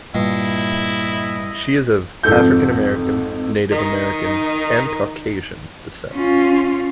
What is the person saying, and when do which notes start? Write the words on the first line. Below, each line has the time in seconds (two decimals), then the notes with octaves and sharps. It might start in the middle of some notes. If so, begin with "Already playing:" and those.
She is of African American, Native American, and Caucasian descent.
0.15 G2 A#2 E4 D#5
2.23 G#1 F2 A4 G6
3.72 D#3 D#4
6.14 C#4 F4